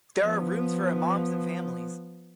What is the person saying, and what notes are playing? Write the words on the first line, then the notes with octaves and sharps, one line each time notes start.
There are rooms for imams and families.
F3 B3